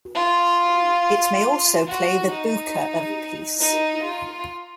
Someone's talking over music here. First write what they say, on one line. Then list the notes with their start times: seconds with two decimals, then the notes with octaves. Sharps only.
It may also play the buka of a piece.
0.15 F4
1.87 F#4
2.31 D#4
3.61 D#4
4.03 F4